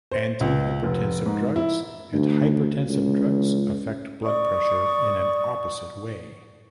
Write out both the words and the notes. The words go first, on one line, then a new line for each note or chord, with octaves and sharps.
Antihypertensive drugs and hypertensive drugs affect blood pressure in an opposite way.
C5
C#2
F1
G#2
E4
D2
C#2
D5 C#6 D#6